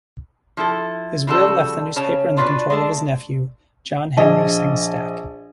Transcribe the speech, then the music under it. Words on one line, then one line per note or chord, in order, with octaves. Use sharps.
His will left the newspaper in the control of his nephew, John Henry Sengstacke.
F3 E4 A4
C#3 F3 G3 F#4 G#4 A4
C#3 C#4 C#5 A5
D4 F4 F#4 A#4 B4 D5
G#3 A3 D4
A#1 D#5 A5